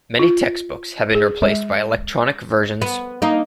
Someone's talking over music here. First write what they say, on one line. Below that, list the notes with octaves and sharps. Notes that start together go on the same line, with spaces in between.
Many textbooks have been replaced by electronic versions.
F4
G#4
G#3
B3
A#3 D#4